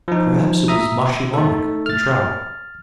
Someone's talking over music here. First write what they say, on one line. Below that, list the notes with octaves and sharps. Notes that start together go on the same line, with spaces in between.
"Perhaps it was Maschilamek, the trout."
F3 D#4
E5 A#5 D#6
A3 D#4 A4
F6 A6